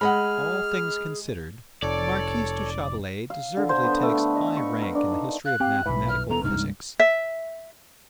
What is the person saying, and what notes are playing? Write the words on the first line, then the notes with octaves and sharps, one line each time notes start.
All things considered, the Marquise du Chatelet deservedly takes high rank in the history of mathematical physics.
G#3 G#4 D#5 F#5 B5 F6
F1 A4 C#5 D5
F5
D3
C5
B3
A3
B4
D#5
C#6
A#4
D4
D#4
F5 F#6
C4 G4 F5
B1 G2 E3 B5
F6
E1 D#2 B3 A4 A#5
C2 G2 G#3 D#4 F6
E5